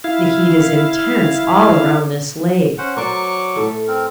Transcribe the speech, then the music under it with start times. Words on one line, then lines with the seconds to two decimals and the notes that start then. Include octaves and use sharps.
The heat is intense all around this lake.
0.04 E4 F5
2.78 C#4 C5 F#5
2.97 F#3 A#4 C5 D5 C#6 D6
3.56 A2 A3
3.87 C4 A#4